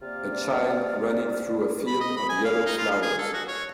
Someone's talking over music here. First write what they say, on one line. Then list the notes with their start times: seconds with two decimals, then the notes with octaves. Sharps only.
A child running through a field of yellow flowers.
0.02 C3 A#3 F4 D5
1.87 B5
2.01 D#5
2.16 B5
2.29 G#5
2.45 F5
2.66 D#4
2.78 F4
2.91 F5
3.02 G#4
3.19 A4
3.34 F#4
3.48 C#5